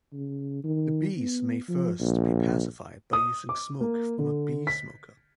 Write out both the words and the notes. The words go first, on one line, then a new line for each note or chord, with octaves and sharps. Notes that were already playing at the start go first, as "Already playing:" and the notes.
The bees may first be pacified by using smoke from a bee smoker.
C#3
D#3
B3
F3
A#1
D#6
D6
A#3
D3
B6